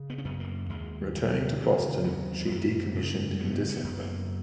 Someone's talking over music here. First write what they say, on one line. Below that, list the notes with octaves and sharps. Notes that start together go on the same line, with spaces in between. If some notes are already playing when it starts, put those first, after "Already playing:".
Returning to Boston, she decommissioned in December.
Already playing: C#3
B3
C#4
F#2 B3
A#3
D#2 G#3
C#3 F#3
C#3 E3
D#2 F#3
F#2 A#3
C#3
C#3 B3
B3
F#2
A#3